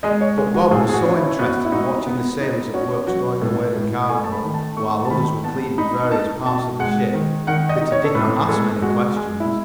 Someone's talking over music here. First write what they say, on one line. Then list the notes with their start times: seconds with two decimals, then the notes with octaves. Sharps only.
But Bob was so interested in watching the sailors at work stowing away the cargo, while others were cleaning various parts of the ship, that he did not ask many questions.
0.03 G#3 D#5
0.21 C#5
0.38 G#3
0.55 F#4
0.71 A2 G#4
0.89 G#4
0.93 F#4
1.05 C#4
1.16 E4
1.39 B3 F#4
1.65 E4
1.72 D#4 F#4
2.06 B3
2.41 D#4
2.74 C#4 F#4
3.08 F#3 F#4
3.41 A2 A4
3.76 A2
4.09 A3 G#5
4.24 A5
4.32 B5
4.43 D#3
4.54 A5
4.76 A3 C#6
5.05 A5
5.10 D#3 B5
5.44 B3 A5
5.78 D#4 B5
6.11 D#4 A5
6.46 B2 A5
6.80 G#3 F#5
7.14 D#3
7.47 D#3 F#5
7.69 D#5
7.81 D#4
7.92 C#5
8.04 A4
8.15 A2 B4
8.40 B4
8.49 G#3 A4
8.82 G#3 F#4
9.16 G#3
9.40 E4